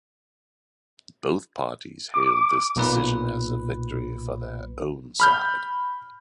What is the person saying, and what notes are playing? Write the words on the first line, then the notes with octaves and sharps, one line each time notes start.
Both parties hailed this decision as a victory for their own side.
D6
B1 A#2 B4
B5 F6 G6